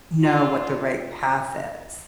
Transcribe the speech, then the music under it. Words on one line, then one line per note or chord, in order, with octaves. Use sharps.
know what the right path is?
D4 F4